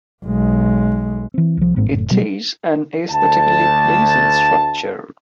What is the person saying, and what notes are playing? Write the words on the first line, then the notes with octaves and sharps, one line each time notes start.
It is an aesthetically pleasing structure.
B1 G#3
E3 C4
C2 F3
A1 G#2 A#3 C4
F#1 A2
B2 F#3 G3
D2 A5